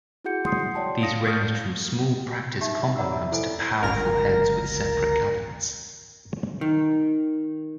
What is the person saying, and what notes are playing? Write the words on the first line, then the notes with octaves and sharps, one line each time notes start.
These ranged from small practice combo amps to powerful heads with separate cabinets.
E4 F#4 G#4 F#5 G6 C#7
F#5 C6 D#6 C7
C#5 D5 G5 A5
F5 D#6 A#6 C#7
C#6 D#6 F6 G6 A6
D#4 G4 E5 A5
D4
C#5 D5 F#5 A#5 B5 E6
E5
E4 A4 C5 G#5
G1 C#2 A#4 A#5 A#6
D#3